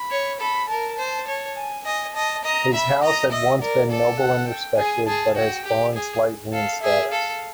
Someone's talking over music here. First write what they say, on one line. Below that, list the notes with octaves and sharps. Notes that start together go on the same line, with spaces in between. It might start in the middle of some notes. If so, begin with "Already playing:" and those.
His house had once been noble and respected, but has fallen slightly in status.
Already playing: B5
C#5
A4 B5
A#4 A5
C5
C#5
G#5
D#5 G#5
D#5 A5
D#5 A#5
E5 B5
D#5 A#5
D#5 E5
A#4 D5
A4 D5
F#5
G5
G#4 G#5
G#4 A5
F#4 G5
G4
G#4
A4 F5
G#4 E5
A4 F5